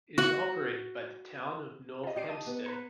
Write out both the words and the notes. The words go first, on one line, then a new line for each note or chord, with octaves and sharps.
It is operated by the Town of North Hempstead.
F#4 F#5
F4 G4 D#5
G4 D5 C7 D7
D#5 A5 D#7
B3
B4 A#5 C#7